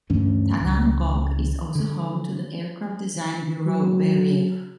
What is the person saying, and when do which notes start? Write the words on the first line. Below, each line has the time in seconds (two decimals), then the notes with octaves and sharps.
Taganrog is also home to the aircraft design bureau Beriev.
0.10 D2 G2 E3 C#4
0.60 C#2
1.75 D3
3.66 F#3